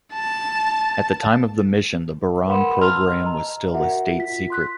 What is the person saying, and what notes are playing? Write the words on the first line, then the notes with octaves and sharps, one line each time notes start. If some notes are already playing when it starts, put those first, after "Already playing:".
At the time of the mission the Buran program was still a state secret.
A5
A#4 B4 F#5 B5 C6 E7
A5 A#5 C6 E6 F6 F7
D#5 A#5
F#4 A#4 E5 F#5
F4 B6
C6 F#6 B6